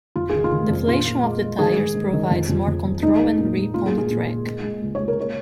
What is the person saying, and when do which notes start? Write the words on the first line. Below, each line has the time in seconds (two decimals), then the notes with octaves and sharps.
Deflation of the tires provides more control and grip on the track.
0.16 F2 F4
0.29 G#4
0.35 D#3
0.44 F4
0.52 D#3
0.70 F2
0.87 A#2 F4
1.05 A#2
1.23 G#3
1.42 G#3
1.59 D#3 G#4
1.77 G#2
1.95 G#2
2.13 D#3
2.31 F2
2.49 F2
2.67 F2
2.85 F3
3.03 G#3 D#4
3.20 G#3
3.38 A#2
3.56 G#3
3.74 A#2 F4
3.86 G#4
3.91 A#2
3.98 G#4
4.10 A#2
4.27 A#3
4.46 G#3
4.63 G#3
4.82 C#2
4.95 C#5
5.00 C#2
5.08 A#4
5.18 A#3 C#5